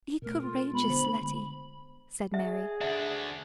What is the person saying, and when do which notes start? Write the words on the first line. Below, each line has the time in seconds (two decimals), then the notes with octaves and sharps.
"Be courageous, Letty," said Mary.
0.22 B2 A3 A#4
0.41 F4
0.73 G#3 B3 B5
0.88 D3 C5
2.34 G#4 E5
2.81 D2 D4 E5